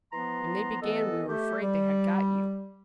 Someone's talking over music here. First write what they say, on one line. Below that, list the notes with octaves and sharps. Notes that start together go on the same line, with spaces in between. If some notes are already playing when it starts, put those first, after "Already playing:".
When they began we were afraid they had got you.
E3 F3 B3 A#5 C6
C2 E3 B3 A4 D#5
A3 G4
G3